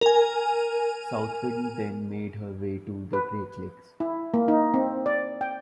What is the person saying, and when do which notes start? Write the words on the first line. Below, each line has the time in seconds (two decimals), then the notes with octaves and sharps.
"Southwind" then made her way to the Great Lakes.
0.01 A#4 G#5
3.13 B4
4.00 E4
4.34 A#3
4.48 D#4
4.74 C4
5.06 D5
5.41 G5